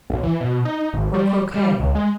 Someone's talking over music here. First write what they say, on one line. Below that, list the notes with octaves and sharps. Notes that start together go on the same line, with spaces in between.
Or croquet?
B1
E3
B2
D#4
G#1
G3
G3
C#2
G#3